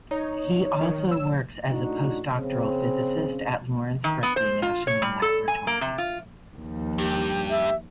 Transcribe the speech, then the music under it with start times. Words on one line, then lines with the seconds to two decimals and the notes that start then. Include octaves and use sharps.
He also works as a postdoctoral physicist at Lawrence Berkeley National Laboratory.
0.11 D#4 C#5
0.81 D#3 C#5
1.11 E6
1.68 A2 D4 D#4 F#4
2.36 C#3 C4
4.04 D#3
4.23 B3
4.36 C5
4.62 F4
4.87 C#5
5.02 G3
5.22 A4
5.48 G#5
5.67 A#3
5.81 C3
5.98 F4
6.57 D#2 F3
6.98 G2 G4
7.50 E5